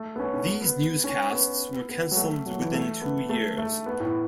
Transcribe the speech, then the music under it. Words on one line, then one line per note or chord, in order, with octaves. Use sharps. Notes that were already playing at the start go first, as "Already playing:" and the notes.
These newscasts were cancelled within two years.
Already playing: A3
B3
C#4
C#4
B3
B3
C#4
B3
B3
F#3
A3
F#3
E3
A3
B3
A3
A3
B3
A2